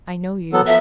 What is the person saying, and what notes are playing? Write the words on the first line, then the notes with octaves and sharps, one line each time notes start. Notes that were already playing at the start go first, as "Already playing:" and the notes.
I know you.
F#3 B3 A4
F3 E5